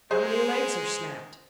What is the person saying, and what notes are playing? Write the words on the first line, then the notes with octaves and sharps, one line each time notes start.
"How many legs are snapped?"
G#3 G#4 C5